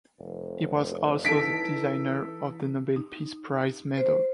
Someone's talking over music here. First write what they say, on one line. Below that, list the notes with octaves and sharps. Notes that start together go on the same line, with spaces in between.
He was also the designer of the Nobel Peace Prize medal.
F1
E3 D#4 A4 B6 D7
D#4
C5